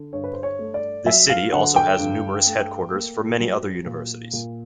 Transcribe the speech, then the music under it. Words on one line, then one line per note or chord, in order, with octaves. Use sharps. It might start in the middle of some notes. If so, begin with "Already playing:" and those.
This city also has numerous headquarters for many other universities.
Already playing: D3
G2 C#5
B4
C5
C#5
A3
D5
F#3 E5
F5
D3 F#5
G5
G2
A3
A#3
F#3
A#2
A#2